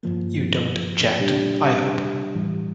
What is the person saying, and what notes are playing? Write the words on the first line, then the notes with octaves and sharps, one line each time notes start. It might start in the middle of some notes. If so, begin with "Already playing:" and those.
You don't object, I hope?
G2 F3 A#3
A#2 G3 D4 G4
A2 E3 G3